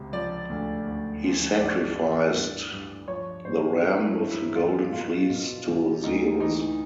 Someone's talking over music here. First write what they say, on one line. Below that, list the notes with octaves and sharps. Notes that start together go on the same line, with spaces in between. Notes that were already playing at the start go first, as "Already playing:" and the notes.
He sacrificed the ram with the golden fleece to Zeus.
Already playing: C#2 C3
F3 D5
D2
D2
F3
G2 D5
E3
G2
G2
F3 C#5
G2 C5
G2 A#4
E4
G2
E4
E2 F4
B2 F4
B2
E2
D2 D#4
E3 D#4